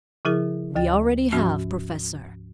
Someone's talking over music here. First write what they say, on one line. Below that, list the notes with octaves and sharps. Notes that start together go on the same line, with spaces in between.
"We already have, professor."
C#3 F3 E4 G#4 A#4
D2 G5 A6
G#2 F3 C#4 F#4